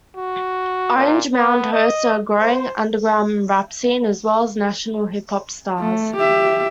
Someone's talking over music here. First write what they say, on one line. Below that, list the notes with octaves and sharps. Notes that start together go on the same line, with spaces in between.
Orange Mound hosts a growing underground rap scene as well as national hip-hop stars.
F#4
A#2
B3
D#5
C5
A3
G4 E5